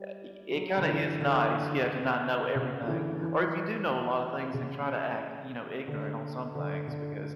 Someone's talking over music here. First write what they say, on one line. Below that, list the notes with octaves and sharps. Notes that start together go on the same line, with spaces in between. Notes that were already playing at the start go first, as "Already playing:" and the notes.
Uh, it it kinda is nice, yeah, to not know everything, or if you do know a lotta things and try to act, you know, ignorant on some things because
Already playing: G3
F#3
D3
E3
D3
C#3
D3
E3
E3
C#3
D3
D3
D3